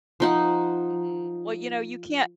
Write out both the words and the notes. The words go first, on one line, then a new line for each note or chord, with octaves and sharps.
Mhm, well, you know, you can't
F3 D#4 F#5